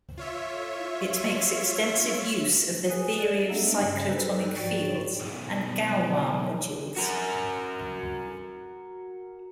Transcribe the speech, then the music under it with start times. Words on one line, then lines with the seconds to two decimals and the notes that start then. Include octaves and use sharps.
It makes extensive use of the theory of cyclotomic fields and Galois modules.
0.18 F4 C#5 E5
2.90 G#4 B4 G#5
3.19 G#3 D5
3.50 G#3 A3 B3 D4 D#4 A4
3.78 G2 C#3 C#4
4.09 D#4 A4 B4 C5
4.57 G#2 F3 F#4 D5 G5
5.20 B1 F#2
6.96 F#4 A#4